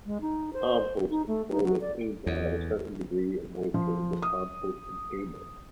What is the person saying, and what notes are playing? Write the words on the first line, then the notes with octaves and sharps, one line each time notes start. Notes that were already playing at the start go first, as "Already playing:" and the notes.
Composting toilets aim to have a certain degree of moisture in the composting chamber.
G#3
D#4
C5
D#4
A3
D#4
F#3
D5
E2
F3
D#6